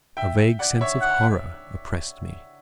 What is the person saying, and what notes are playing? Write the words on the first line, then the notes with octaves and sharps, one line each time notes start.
A vague sense of horror oppressed me.
E5 G5
D5 F#5
C#5 E5
F#5